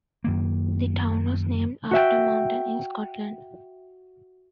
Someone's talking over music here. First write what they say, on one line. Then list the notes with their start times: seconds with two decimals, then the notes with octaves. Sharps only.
The town was named after a mountain in Scotland.
0.24 F#2 D#3 A#3
1.91 F#4 E5 G5